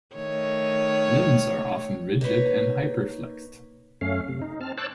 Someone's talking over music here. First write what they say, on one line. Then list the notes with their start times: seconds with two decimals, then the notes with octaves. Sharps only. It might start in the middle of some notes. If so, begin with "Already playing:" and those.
Limbs are often rigid and hyperflexed.
0.15 D#3 A3 C#5
2.21 A#3 D#4 B4 C#5
4.01 F#2 A3 C#4 F5
4.28 C3
4.42 D#4
4.61 C4 A5 F6
4.77 C5 C#5 A5 D6 E6 F#6